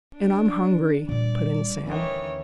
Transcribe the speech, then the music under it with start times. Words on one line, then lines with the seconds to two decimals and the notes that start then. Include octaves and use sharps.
"And I'm hungry," put in Sam.
0.15 D4
1.09 A#2 G3 D5
1.86 D2 D#3 E3 C#4 C#5